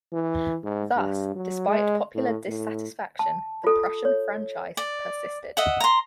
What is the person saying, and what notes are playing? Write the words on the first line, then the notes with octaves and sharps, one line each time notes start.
Thus, despite popular dissatisfaction, the Prussian franchise persisted.
E3
G#2
G2
F#3
G#3
A2
A2
A5
F4 A4
C#5
D5
D#5 E5 F#5
A#5 C6